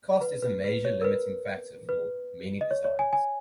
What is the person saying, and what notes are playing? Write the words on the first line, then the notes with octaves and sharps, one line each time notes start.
Cost is a major limiting factor for many designs.
B4
B4
B4
C#5
A#4
B4
B4
D#5
C#5
C#5
G#5
G#5